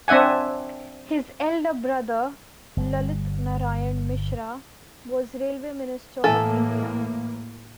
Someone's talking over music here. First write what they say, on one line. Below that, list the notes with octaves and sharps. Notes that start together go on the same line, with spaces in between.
His elder brother, Lalit Narayan Mishra, was Railway Minister of India.
C4 D4 E5 F#5 G#5
G1 G3
A2 E3 A#3 A4